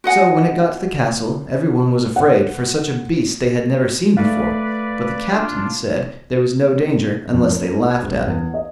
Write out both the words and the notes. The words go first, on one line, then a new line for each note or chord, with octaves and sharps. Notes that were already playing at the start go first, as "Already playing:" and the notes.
So when it got to the castle every one was afraid, for such a beast they had never seen before; but the captain said there was no danger unless they laughed at it.
F#4 D#5 F#5 G#5
F#5
A3 B4 D5 F5
D4 F4
F2
A#3
B3
G#6
D#1
E2
D#5